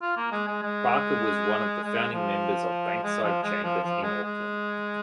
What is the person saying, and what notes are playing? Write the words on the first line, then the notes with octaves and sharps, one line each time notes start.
Barker was one of the founding members of Bankside Chambers in Auckland.
F4
A#3
G#3
G#3
G#3
G#3
F3
G#3
F3
G#3
F3
F3
G#3
G#3